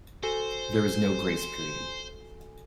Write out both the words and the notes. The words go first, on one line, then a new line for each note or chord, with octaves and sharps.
There is no grace period.
F#4 A4 C5 G#5